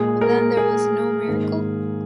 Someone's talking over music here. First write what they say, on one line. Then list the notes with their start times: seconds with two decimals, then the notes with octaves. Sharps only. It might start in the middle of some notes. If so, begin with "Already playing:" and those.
Then there was no miracle?
Already playing: A#2 G#3 G#4
0.21 A#4
0.57 G#4
1.27 G#2 D#3 A#3